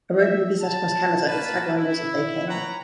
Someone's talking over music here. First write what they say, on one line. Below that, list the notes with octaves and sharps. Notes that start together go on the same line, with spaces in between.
A road movie set across Canada, its tagline was They came.
E5
A5
A3 A#3 B4 A5
E4
B4 C#5 F#5 G5 A#5 B5